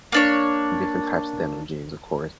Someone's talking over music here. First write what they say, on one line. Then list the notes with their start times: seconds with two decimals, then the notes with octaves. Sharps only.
different types of denim jeans, of course.
0.12 A#3 D4 C#5